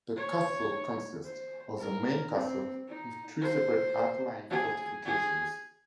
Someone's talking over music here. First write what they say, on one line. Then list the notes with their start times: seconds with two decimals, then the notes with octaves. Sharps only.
The castle consists of the main castle with three separate outlying fortifications.
0.16 C#5
1.24 C5
1.79 A#4
2.34 C4
2.88 D#4
3.41 C5
4.50 G#4
5.06 G#4